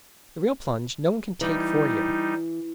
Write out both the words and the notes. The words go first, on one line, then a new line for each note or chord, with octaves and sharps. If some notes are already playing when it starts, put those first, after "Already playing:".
The real plunge no one can take for you.
E3 G3 D#4